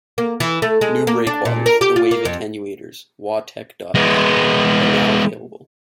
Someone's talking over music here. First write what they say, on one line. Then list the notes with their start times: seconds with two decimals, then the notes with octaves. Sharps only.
New breakwaters, the wave attenuators - wawtech dot net - are now available.
0.18 A#3
0.40 E3
0.62 A3
0.81 G#3
1.07 A#3
1.27 D4
1.45 A#2
1.66 A#4
1.81 G4
1.96 F4
2.11 A#3
2.25 F2
3.95 G#3 B3